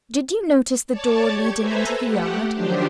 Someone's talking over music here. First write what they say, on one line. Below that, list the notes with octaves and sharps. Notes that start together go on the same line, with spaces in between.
"Did you notice the door, leading into the yard?"
C#5 D5 A5 D6
G4 C#6 G#6
A4 B4 C5 E5 G#5 A#5
A3 G4 F#5
D#3 F3 F#3 D4 G4 C5